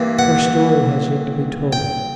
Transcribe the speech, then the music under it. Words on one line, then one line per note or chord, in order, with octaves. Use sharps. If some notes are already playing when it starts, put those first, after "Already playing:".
Her story has yet to be told.
Already playing: G2 E3 G3 A#3
F#5
G5